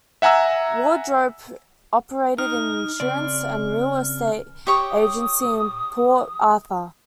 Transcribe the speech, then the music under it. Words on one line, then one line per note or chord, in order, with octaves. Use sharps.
Wardrope operated an insurance and real estate agency in Port Arthur.
E5 F#5 G#5 A#5 E6
D#4 F6
C#3 C4 D5
G4 C#5 C#6 D#6